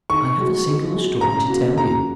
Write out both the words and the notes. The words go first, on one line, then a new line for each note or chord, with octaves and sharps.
I have a singular story to tell you.
D#3 C#6
G#3 F#4
D#3
G#3 F#4
C#3 A#5
A#3 F#4
C#3 A#5